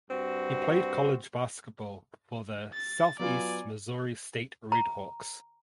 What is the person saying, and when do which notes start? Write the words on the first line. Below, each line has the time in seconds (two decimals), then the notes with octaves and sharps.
He played college basketball for the Southeast Missouri State Redhawks.
0.10 G2 C4 F#4
2.73 A6
3.19 F#3 B3 F4 D5 G#5
4.72 A#5